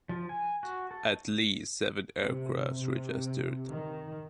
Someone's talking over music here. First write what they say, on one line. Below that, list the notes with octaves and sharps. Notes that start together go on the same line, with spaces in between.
At least seven aircraft registered.
F3
G#5
F#4
A4
C3
C3
D#3